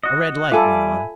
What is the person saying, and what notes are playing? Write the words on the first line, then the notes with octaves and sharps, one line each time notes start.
A red light went on.
F#4 D#5
G3 F4 A4 E5 G#5 B5 D6